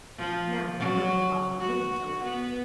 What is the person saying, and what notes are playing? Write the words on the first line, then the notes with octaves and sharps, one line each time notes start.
Now her papa wouldn't allow it.
F3
F#3
F#4
B3